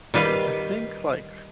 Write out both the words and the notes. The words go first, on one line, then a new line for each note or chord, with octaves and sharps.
I think, like,
D#3 G3 B4 F5